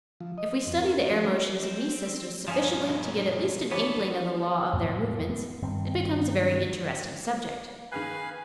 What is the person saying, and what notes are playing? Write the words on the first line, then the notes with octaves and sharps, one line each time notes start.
If we study the air motions in these systems sufficiently to get at least an inkling of the law of their movements, it becomes a very interesting subject.
F3
D#5
C4
F2
A#4
C#4
F3
A#3
C4
G2 A#2 F3 C#4 D#4 F5 G#5
B2 D#5
E2 A#2 B3 D4 A4 C#5
F2 A2 C3 B3
B3
G2 D#3 C4
D#3 G#4 B4 F5 G#5 F#6